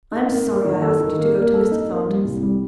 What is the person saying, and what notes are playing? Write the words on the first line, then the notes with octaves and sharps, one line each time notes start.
'I am sorry I asked you to go to Mr. Thornton's.
D#4
A#3
A#3
D#3
A4
D#3
A#3
A#3
A4
D#4
A#3
G3
C2
G3